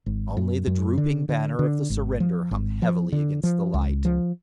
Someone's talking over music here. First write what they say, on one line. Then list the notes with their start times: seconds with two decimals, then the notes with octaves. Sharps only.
Only the drooping banner of the surrender hung heavily against the light.
0.06 G#1
0.37 F#2
0.67 F#2
0.98 D3
1.29 D3
1.59 D3
1.90 G#1
2.20 F3
2.51 G#1
2.82 F3
3.12 D3
3.43 F3
3.74 C#2
4.05 F3